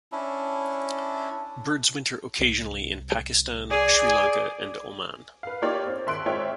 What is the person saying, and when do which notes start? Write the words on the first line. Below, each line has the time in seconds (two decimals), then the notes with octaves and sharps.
Birds winter occasionally in Pakistan, Sri Lanka and Oman.
0.12 C#4 D4 E4
2.39 C2
3.71 G#4 D5 G#5
5.43 B4 F5
5.62 A#3 D#4 F4 G4 C#5 D5
5.87 C4
6.06 D#2 E5 C6 F#6 D7
6.26 G#3 C4 F4 C#5 E5 G5